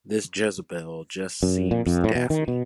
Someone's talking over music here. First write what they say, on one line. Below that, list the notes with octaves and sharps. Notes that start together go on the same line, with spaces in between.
This Jezebel just seems daffy.
F#2
A#2
F2
A2
B2
D#3
B2